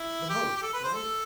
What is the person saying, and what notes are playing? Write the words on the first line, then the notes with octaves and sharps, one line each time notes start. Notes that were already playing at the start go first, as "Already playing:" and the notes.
The most, right?
Already playing: E4
G4
G4
A4
B4
C5
A4